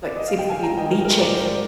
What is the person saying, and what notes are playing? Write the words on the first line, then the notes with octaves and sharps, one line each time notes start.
like, seems to be leeching
D5
D#5
F5
G5
D#3 F5 G#5
G5 A#5
G#2
D#5 G5
D#3 A#4
G#2 A#4
D#3 A#4 D5
C5
G#2 A#4 D5